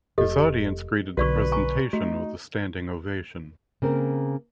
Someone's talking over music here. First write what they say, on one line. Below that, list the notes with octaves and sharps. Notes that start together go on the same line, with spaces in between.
His audience greeted the presentation with a standing ovation.
F1 G4 A4 D#5
B1 D3 F#4 B4 D5 C#6
G#5 A#5 C#6
A3 D#4 F#4
C#3 A#3 C4 A#4